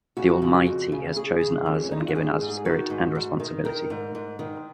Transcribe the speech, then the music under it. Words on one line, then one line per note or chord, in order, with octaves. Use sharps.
The Almighty has chosen us and given us spirit and responsibility.
C#3 F#4
C#3
F2
C#3
C#3 G#4
C#3
F2
C#4
F2 D#4
F4
F#4
G#2 G#4
G#2
G#4
D#3 F#4
G#2
G#2
D#3
D#3 A#4
G#2
G#2
D#3